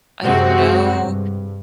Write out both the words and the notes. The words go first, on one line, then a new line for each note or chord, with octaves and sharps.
I don't know
F#2 C3 G#3 C4 F#4
G2